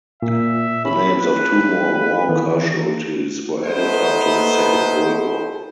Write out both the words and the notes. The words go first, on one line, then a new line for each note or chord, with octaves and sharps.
The names of two more war casualties were added after the Second World War.
A#2 E5
C#4 B5
B4
D#3 E3 B3
A3 B3 D#4 A4 B4 C5